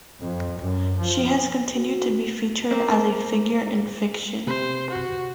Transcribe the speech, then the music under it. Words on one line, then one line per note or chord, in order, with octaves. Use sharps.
She has continued to be featured as a figure in fiction.
F2
F#2
F3
F#4
A#3 C4
C3 C5
F#4